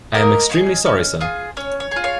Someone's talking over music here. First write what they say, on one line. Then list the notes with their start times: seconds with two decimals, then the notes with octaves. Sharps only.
I am extremely sorry, sir.
0.14 A#3 A#4 D#5
0.50 C#4 F4 G#4
0.86 C#4
1.20 F4 G#4
1.57 C#4 C#5
1.80 C#5
1.91 F4 G#4
2.04 C#5 F5